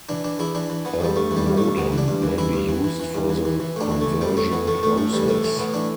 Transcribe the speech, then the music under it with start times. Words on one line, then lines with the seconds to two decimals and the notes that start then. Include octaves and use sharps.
A modem may be used for the conversion process.
0.09 E3 D4
0.24 E3 D4
0.39 E2 E4
0.55 E3 D4
0.70 E3
0.85 E3 B3
1.00 E2 G3
1.16 G2 A3
1.31 E3
1.37 G3
1.46 G2
1.57 G2 A3
1.77 E3 B3
1.92 E3
1.98 D4
2.08 G2
2.23 E3
2.38 E3 E4
2.53 G2
2.69 E3
2.84 E3
3.00 E3
3.15 G2
3.30 E3
3.45 E3
3.60 E3
3.76 A2 D4
3.91 E3
4.01 A3
4.06 E3
4.21 A2 G3
4.37 A2 A3
4.52 E3 B3
4.67 A2 A3
4.83 A2 A3
4.98 A2 A3
5.13 E3 G3
5.28 A2 A3
5.44 E3 A3
5.59 A2 B3
5.74 E3 D4